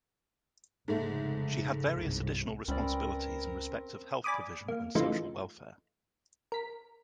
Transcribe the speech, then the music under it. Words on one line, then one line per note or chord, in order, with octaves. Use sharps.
She had various additional responsibilities in respect of health provision and social welfare.
F1 G#2 C#3 G#3 A3
G1 C2
C#2 C4 C#4 A#4 B4 D5
D5 G#5 B5 D6 D#6
A#3
C#3 E3 A3 D#4 F4
A#4 B6